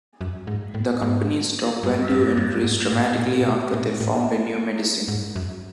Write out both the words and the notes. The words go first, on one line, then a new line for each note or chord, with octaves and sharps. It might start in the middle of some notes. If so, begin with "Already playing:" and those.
The company's stock value increased dramatically after they found a new medicine.
F#2
G#2
A2
G#2
G2
G2
G2
G#2
A2
A#2
A#2
B2
A#2
A2
G#2
F#2